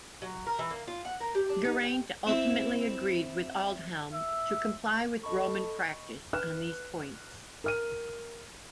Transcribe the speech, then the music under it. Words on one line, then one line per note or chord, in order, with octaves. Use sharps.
Geraint ultimately agreed with Aldhelm to comply with Roman practice on these points.
F#3
A#4
E3
A#3
F4
F#5
A#4
G4
D4
D#4
G5
C4 E4
E5
A4 D#5 B5 C#6
B4 F6 F#6 E7
A#4 F6 D#7